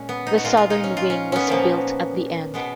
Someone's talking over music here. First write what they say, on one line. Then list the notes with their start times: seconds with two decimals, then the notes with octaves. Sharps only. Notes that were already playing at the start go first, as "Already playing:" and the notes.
The southern wing was built at the end.
Already playing: A#2 G#3 C#4
0.09 B3
0.27 D#4
0.38 F#4
0.44 A#2 G#3 F4
0.57 F4
0.70 D#4
0.84 C#4
0.97 F4
1.10 C#4
1.32 B3 C#4
1.47 A#2 F3 A#3
2.54 B2 G#3 B3